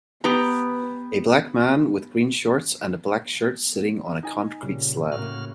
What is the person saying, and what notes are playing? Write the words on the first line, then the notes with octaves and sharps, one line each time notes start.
A black man with green shorts and a black shirt sitting on a concrete slab.
B3 G4 B4 A#5
D#4 G#5
A#2 C#3 G3
A2 C#3 A#3 F#4 F6